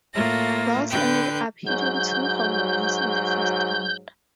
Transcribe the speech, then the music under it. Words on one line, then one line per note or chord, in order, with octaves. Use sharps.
Wells ended up hitting two home runs in the first round.
A2 A3 A#3 F4 A#6
D3 B4 G5 G6
G#2 F#3 G6